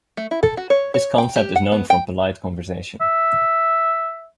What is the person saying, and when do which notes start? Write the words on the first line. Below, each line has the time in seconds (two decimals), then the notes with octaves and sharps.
This concept is known from polite conversation.
0.17 A3
0.31 E4
0.43 A4
0.57 F#4
0.70 C#5
0.94 C#5
1.18 G5
1.36 G4
1.56 F#5
1.72 B3
1.90 G5
3.01 E5